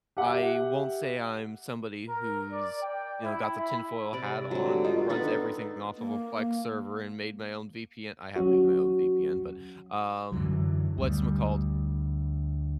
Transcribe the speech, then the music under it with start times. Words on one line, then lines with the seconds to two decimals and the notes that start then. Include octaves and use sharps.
I won't say I'm somebody who's, you know, got the tinfoil hat on and runs everything off of a Plex server and made my own VPN. I have made my own VPN, but, um, what's mccalled?
0.17 G4 E5 F#5
2.08 A#4
2.52 D5
2.82 G5
3.23 E4
3.61 B5
4.13 C3 D5
4.51 D3 F#3 G3
4.84 D#4 F4
4.96 B2
5.09 B3 D4 D#4 A4
5.98 A#3
8.36 F#3 C#4 F#4
10.32 F#2 D3 E3 F#3
10.98 D2 G3